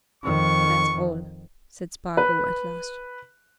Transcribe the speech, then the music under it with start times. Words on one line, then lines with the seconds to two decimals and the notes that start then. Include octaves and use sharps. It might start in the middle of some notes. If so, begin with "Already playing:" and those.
"That's all," said Spargo at last.
0.24 F2 D#3 C#6
2.17 B4